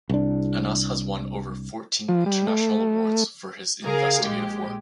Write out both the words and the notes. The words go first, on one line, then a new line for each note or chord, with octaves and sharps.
Anas has won over fourteen international awards for his investigative work.
C2 D4
F3
G3
A3
C#3 G#4 A#4 F5
A#1 G#3 G4